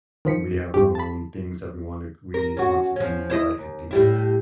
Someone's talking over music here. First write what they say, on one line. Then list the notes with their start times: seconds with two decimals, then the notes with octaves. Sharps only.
we have our own things that we wanna we want to do, we like to do.
0.25 D#3 F3 B6 C#7
0.74 G2 G4
0.95 A5 B5
2.34 A#4
2.57 C#4 F#4
2.96 F3 C#4
3.30 E4 C5 D#5
3.58 D#2
3.91 A2 G3 E4